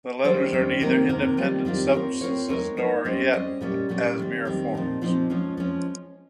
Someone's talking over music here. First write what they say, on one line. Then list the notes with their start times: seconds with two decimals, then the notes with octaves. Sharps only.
The letters are neither independent substances nor yet as mere forms.
0.24 D#3 G3 C#4 G#4 C5
0.53 D#3 G3 C#4 G#4 C5
0.81 C3 D#3 A#3 D#4 A#4
1.09 C3 D#3 A#3 D#4 A#4
1.37 D#3 G3 C4 F4
1.65 D#3 G3 C4 F4
1.93 C4 F4 A#4 C#5
2.21 C4 F4 A#4 C#5
2.49 G#3 D#4 A#4 C#5
2.77 G#3 D#4 A#4 C#5
3.05 G3 C#4 G#4 C5 D#5
3.33 G3 C#4 G#4 C5 D#5
3.61 A#2 G3 C#4 G#4
3.89 A#2 G3 C#4 G#4
4.18 D#3 G3 C4
4.45 D#3 G3 C4
4.74 A#2 F3 C4 D#4
5.01 A#2 F3 C4 D#4
5.30 F3 G#3 C#4
5.57 F3 G#3 C#4